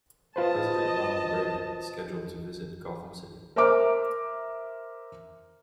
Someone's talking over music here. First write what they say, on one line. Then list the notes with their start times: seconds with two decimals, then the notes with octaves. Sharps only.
President Ronald Reagan, scheduled to visit Gotham City.
0.36 F4 B4 C5 D#5 A5
3.56 A#4 C5 E5 A#5 D6 F6